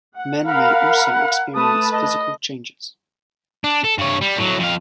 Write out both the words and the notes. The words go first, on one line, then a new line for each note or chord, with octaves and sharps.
Men may also experience physical changes.
F#5
A#4 F5 F#5 B5
A3 B4 A5 D#6
D#5
D4
A4
G2 C#5
G3
A2 F#3
F2 F5